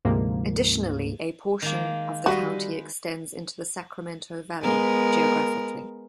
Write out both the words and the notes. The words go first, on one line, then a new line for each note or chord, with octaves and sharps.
Additionally, a portion of the county extends into the Sacramento Valley, geographically.
D2 G#2 C3 F3 A#3
D#3 G#3 A#3
G3 G#3 F#4 B4 D#5
G#3 B3 A#4